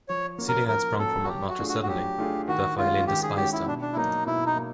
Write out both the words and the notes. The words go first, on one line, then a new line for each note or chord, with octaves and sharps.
Celia had sprung from Montmartre suddenly; therefore Helene despised her.
F3 C#5
A#3 C#4 F#4
A#4
F3 A#4
A#3 C#4 F#4 A4
F#4
F#3 G4
F#4
A3 D4 F4 G#4
F#4
F#4
F#3 G4
A3 D4 F4 G#4
D#3 F#4
G#3 C#4 F4 F#4
D#3 G4
G#4
G#3 C#4 F#4 G4
E4
B2 D4
D4
E4
F#3 A#3 D#4
B2 E4
D#4
A#3